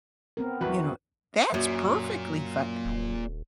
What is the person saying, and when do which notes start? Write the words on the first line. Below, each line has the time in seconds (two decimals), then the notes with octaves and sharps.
You know? That's perfectly fine.
0.37 B3 C4 A#4
0.61 E2 F#4 B4
1.54 F#2 A#2
2.85 D#1